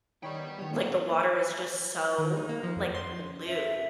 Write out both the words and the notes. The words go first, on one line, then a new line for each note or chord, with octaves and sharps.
like, the water is just so, like, blue
D#3 D#4 C#5 D5 G5 B5
B3
D#3 G3 C#5
A#2 F3 F#3 A#3
D#3
D#4
A#3
F3
F2
C6
E5